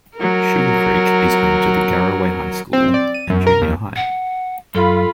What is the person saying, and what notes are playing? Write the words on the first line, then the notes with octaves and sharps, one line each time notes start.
Sugarcreek is home to the Garaway High School and Junior High.
F#3 A#4
C4
D5
D#7
F#2
A#4
D#2
F#5
F#2 F4 A4 B5